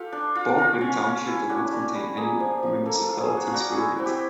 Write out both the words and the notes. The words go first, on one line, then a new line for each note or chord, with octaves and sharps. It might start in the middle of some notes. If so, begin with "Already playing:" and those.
Baldwin Township does not contain any municipalities within it.
Already playing: F4 G4 A4
D4
F4
F4
C#4
C#4
E4
D4 F#4
G3
G3
A#3 G#4
F3
F3
A#3 A4
A4
F4
G#4
A#3
F#4
F4
G3 F#4
G#4
E4
F#4
C4 F#4
G4